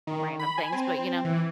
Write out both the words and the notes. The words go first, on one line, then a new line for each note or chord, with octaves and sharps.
random things, but, you know,
D#3
B5
G#5
C4
E3